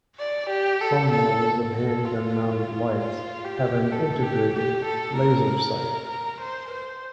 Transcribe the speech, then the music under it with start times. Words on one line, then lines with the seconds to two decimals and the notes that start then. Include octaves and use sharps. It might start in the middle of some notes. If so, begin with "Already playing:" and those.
Some models of handgun-mounted lights have an integrated laser sight.
0.19 D5
0.50 G4
0.81 A4
1.12 A4
1.74 A4
2.05 F4
2.99 F4
3.44 G4
3.92 A4
4.23 G4
4.54 G4
4.85 A4
5.16 A#4
5.47 A#4
5.78 A#4
6.09 A#4
6.41 C5
6.71 C5